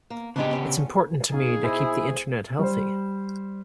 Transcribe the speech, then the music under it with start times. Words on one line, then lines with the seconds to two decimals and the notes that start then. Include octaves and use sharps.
Itâs important to me to keep the Internet healthy.
0.10 A#3
0.36 C#3 G3 G#3 B3 D4 G4
0.53 D3 C#4
1.32 B2 D#4 G#4 F5
1.64 B2 E4 C5 D#5 G#5
2.59 G3 C5